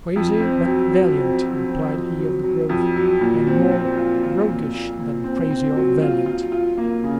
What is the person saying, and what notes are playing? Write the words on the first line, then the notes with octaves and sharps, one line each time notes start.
"Crazy but valiant," replied he of the Grove, "and more roguish than crazy or valiant."
F2
C4
F#3
F#3
C4
F#3
C4
F2
F#3
F#3
F2
F#3
A#2
C4
C4
F4
F4
A#2
A#2
A#2
C4
C4
F#3
F4
F4
F4
A#3
C#3